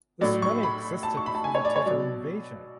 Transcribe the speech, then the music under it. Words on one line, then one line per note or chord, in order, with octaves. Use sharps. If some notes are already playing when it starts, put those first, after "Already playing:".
This money existed before the Tatar invasion.
A2 F#3 D5
C#6
B5
A5
C#6
B5
A5
G#5
C#5
D5
C#5
B2 F#3 D5